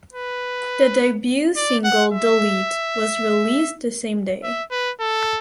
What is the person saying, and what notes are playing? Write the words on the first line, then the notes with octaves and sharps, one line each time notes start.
The debut single "Delete" was released the same day.
B4
D5
F#5
E5
E5
B4
A4